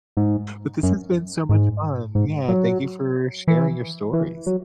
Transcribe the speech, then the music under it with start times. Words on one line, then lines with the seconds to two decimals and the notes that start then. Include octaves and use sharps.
but this has been so much fun, yeah, thank you for sharing your stories.
0.17 G#2
0.83 F#2
1.49 G#2
2.15 G#2
2.48 F#3
3.47 E3
4.13 E3
4.46 F#3